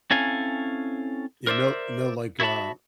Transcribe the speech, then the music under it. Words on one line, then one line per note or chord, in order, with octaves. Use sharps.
You know no, like, uh,
C4 C#4 E4 A4 F5 G#5
A#4 C5 D5 E5
E4 F#4 E5 A5 B5